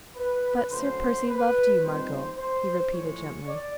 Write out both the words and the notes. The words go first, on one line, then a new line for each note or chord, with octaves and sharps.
"But Sir Percy loved you, Margot," he repeated gently.
B4
D3 F#3 A3 C#4 C5
B4
A#2 G3 C4 D#4 C5
C5
A2 F3 G#3 C#5
D5